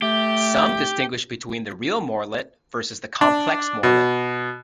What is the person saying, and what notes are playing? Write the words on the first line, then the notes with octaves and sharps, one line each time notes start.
Some distinguish between the "real Morlet" versus the "complex Morlet".
A3 G4
D4
B2